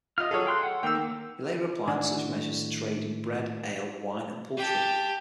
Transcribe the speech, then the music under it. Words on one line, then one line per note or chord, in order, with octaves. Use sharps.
He later applied such measures to trade in bread, ale, wine and poultry.
F4 D#5 F6
F#3 G#4 A4 C#5
G5 C6 F#6
F#5
D#3 A#3 G5 E6
A2 D#3 D4 F#5 G#5
G4 A5